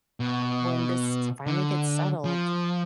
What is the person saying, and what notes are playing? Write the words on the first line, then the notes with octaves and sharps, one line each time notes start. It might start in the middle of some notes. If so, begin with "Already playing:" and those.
when this finally gets settled,
B2
D3
F3